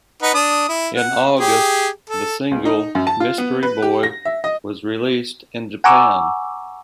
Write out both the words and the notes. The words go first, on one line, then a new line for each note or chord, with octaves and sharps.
In August the single "Mystery Boy" was released in Japan.
D#4 B4 F#5
D4 D#6
E4
F#5
G4 G#4
A4
C#2
D#4
F#2
A5
F4
B3
B4
G4
A#6
E5
D#5
F#5 G#5 A#5 C#6 D6 E6